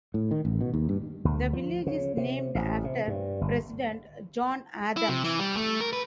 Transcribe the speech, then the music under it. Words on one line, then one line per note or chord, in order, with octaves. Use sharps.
The village is named after President John Adams.
A2
D#3
A1
B2
D#2
G2
D2
F3
C#3
C3
A1
C3
G2
G1
E4
C3
E3
G3
A3
A#4
B4